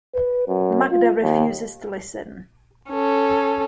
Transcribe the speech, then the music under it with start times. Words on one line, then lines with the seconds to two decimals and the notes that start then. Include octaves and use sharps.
Magda refuses to listen.
0.15 B4
0.48 F#2
0.91 F4
1.22 D#2
2.90 C#4 A4